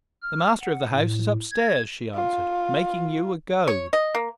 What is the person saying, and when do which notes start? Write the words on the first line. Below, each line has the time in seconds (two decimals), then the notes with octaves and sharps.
"The master of the house is upstairs," she answered, "making you a goad."
0.22 F6
0.61 F#5
0.91 A2
1.51 G#6
2.14 F4
3.68 C#5
3.93 D#5
4.15 A#3